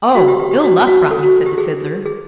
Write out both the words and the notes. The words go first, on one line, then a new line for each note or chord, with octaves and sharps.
"Oh, Ill-Luck brought me," said the Fiddler.
F#4
G4
G4
G4
F#4
F#4
A4
F#4
G4
G#4
G#4